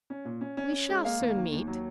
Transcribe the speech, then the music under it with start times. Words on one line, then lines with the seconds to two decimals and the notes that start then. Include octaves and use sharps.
"We shall soon meet."
0.10 C#4
0.25 A#2
0.41 C#4
0.57 C#4
0.72 C#4
0.89 G#3
1.05 A#3 F5
1.20 D#2
1.37 D#3
1.52 D#2
1.67 F#3